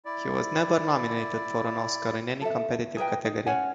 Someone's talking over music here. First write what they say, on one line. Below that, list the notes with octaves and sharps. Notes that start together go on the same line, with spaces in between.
He was never nominated for an Oscar in any competitive category.
E4 D5
A4 E5
G#4 A#4 B4 G5
D#4
C#4 C#5 F#5 G#5